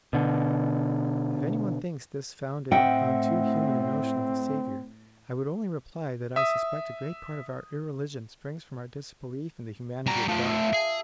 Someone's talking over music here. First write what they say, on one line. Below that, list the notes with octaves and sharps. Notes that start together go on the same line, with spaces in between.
If any one thinks this founded on too human a notion of the Saviour, I would only reply that I suspect a great part of our irreligion springs from our disbelief in the humanity of God.
B2 D3
A2 C4 D#5 E5 F#5 G5
E5 D#6
G3 A#5
F3 A3 F4
E5
G#4